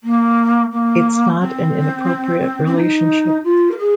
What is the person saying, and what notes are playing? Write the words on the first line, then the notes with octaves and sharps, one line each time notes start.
It's not an inappropriate relationship.
A#3
A#3
C4
C4
D#4
F4
A#4
G#4